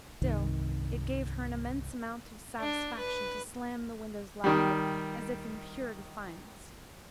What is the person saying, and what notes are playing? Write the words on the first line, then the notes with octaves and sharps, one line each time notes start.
Still, it gave her an immense amount of satisfaction to slam the windows loudly, as if in pure defiance.
C2 G2 C3 D#3
D4
B4
D#3 G3